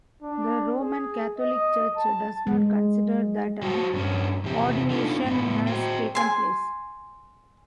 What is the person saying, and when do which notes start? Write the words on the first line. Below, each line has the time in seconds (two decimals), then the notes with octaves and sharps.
The Roman Catholic Church does not consider that an ordination has taken place.
0.23 D4
0.81 G#4
1.38 D#5
1.97 A5
2.47 G#3
3.62 F#3 F#4 C5 A5
3.93 G2 C#4
4.44 E2 C3 G4
4.90 B3 D4 D#4 F4 A4
5.25 A2 B3
5.67 F#4 C5 G5
6.15 G#5 C6